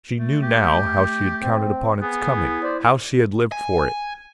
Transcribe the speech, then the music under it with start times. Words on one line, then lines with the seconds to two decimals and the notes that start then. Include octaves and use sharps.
She knew now how she had counted upon its coming, how she had lived for it.
0.17 A3
0.43 G4
1.42 C4
2.02 B3 G#4
2.37 E4
2.63 C5 D5
3.52 G#5